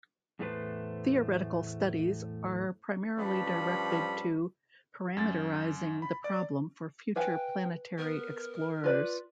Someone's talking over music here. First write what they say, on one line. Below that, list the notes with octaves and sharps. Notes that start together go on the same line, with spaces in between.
Theoretical studies are primarily directed to parameterizing the problem for future planetary explorers.
E2 A2 G3 A3 B4 C5
G2 F3 G3 C#4 B5
F#2 A6
B5
D5
B4 F5 G5 G#5
B3 A#4
F4 B4 D5